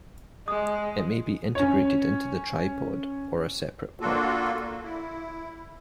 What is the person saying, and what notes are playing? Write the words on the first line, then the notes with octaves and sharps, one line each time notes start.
It may be integrated into the tripod, or a separate part.
G#3 D#6
C#4 C#5
A#3 D4 F4 F#4 A4
E4